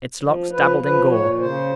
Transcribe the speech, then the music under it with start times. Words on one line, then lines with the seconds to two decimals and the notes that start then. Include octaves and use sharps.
Its locks dabbled in gore.
0.22 F3
0.51 F3 B4
0.80 F3 B4
1.10 A#2 C#5
1.39 C#3 C5